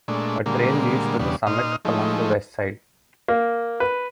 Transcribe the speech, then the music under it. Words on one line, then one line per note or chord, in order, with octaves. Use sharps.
A trail leads to the summit along the west side.
A#2 G#3 A3 D4
A#2 D3 G3 G#3 A#3
E2 C#3 G3 B3 D4
A#2 D#4 C6 D#6 F6
F3 G#3 A3 D#4
A#3
B4